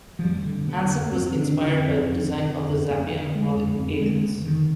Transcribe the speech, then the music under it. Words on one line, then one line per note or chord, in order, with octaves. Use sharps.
Hansen was inspired by the design of the Zappeion hall in Athens.
F3
F2 G3
D3
D3 B3
F2
F2 C4
D3
D4
D3
C4
F2
F2
D3
D3
F2
F2 B3
D3
D3 G#3
F2
F2 C4
D3 G#3
D3 B3
F2 D#3